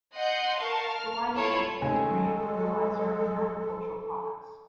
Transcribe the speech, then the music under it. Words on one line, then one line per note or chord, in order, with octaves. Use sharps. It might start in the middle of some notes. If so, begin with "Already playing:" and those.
The line transports grain, fertilizer and agricultural products.
D#5 F#5 C6 G6
A#4 F5 A5 C#6
F6
E4 F4 A4 C#5
D#2 G#3 A3 C#4 A4 G#5